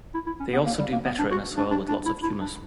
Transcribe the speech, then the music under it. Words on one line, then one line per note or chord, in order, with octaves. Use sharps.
They also do better in a soil with lots of humus.
E4
E4
C#4
B3
A#3
G3
A#3
B3
D4
F#4
D4
D4
D4
E4
E4
D4